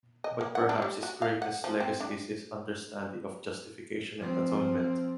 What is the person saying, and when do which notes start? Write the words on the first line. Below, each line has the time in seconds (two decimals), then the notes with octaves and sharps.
But perhaps his greatest legacy is his understanding of Justification and Atonement.
0.24 D#5
0.41 A#3
0.55 F#5
0.69 D4
0.82 G3
1.03 F#4
1.22 F5
1.42 F#5
1.64 F3
1.80 C4
2.00 D4
4.18 F3 C4